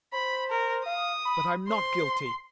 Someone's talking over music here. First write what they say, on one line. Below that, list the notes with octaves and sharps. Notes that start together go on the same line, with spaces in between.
But I'm not guilty.
C5 B5
A#4
F5 D#6
B5
C5 C6